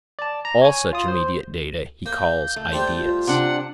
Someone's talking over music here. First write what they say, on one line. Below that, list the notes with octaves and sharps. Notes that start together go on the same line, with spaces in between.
All such immediate data he calls 'ideas'.
D5 A5
A#5
C#5 G#5
F4 D#6
C5
A#3 G6
A3
G3 G4 C5
F4
C3 D4 F#5